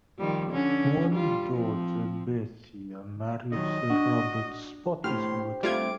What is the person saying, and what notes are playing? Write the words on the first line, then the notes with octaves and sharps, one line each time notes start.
One daughter Bethia married Sir Robert Spottiswoode.
D#3 F3 G3
D3 C#4
G3 F4
F3 C4
D3 D#3 F#3 D#5
D4 F#4
A2 G4 C5 C6 F6
G3 A3 C4 F4 D6 G#6